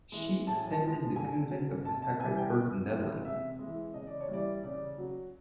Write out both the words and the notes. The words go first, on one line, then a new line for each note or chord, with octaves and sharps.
She attended the Convent of the Sacred Heart in Dublin.
E3 G#3
A2 A5
G#5
A5
F3 G#3
D3 G#5
F#3
C3 A5
A5
E3 G3 G#5
G5
C3
E3 G#3
C3 E5
E3 G#3
C#3 D#5
D5
C#5
E3 G3 D5
C#3 D5
F#3